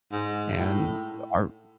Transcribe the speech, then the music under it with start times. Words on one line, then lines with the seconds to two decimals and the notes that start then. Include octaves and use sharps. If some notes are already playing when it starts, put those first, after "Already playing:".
and our
0.12 G#2
0.57 A2